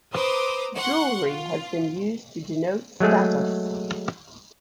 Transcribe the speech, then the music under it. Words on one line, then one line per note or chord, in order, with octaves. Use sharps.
Jewellery has been used to denote status.
B4 C5 A#5 C6 D6 D#6
F#5 C6 C#6 F#6
F4
F#3 G#3 A3 G#4